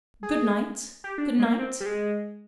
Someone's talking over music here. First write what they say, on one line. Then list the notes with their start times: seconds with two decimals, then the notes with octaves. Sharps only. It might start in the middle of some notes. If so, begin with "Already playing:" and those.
Good-night. Good-night.
0.23 G#4
1.04 G4
1.18 D4
1.39 G#3
1.45 A#3
1.59 C4
1.80 G3
1.86 G#3